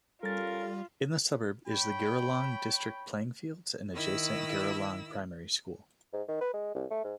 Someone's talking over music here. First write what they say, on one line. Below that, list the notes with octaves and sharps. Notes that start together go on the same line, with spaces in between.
In the suburb is the Giralang District Playing fields and adjacent Giralang Primary School.
G3 C#4 F4 A4 A#4 A6
C#5 G5 B5
D#3 E4 E6 A#6
G#2
D#3
B4
G#3
C2
A3
G#2